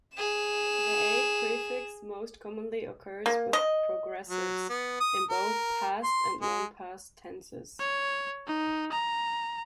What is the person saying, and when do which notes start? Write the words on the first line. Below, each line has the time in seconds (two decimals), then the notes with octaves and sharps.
The a-prefix most commonly occurs with progressives, in both past and non-past tenses.
0.17 G#4 E7
3.26 A#3
3.53 D#5
4.29 F#3
4.70 B3
5.00 D#6
5.30 A#4
6.04 C6
6.41 G#3
7.79 C#5
8.47 D#4
8.92 A#5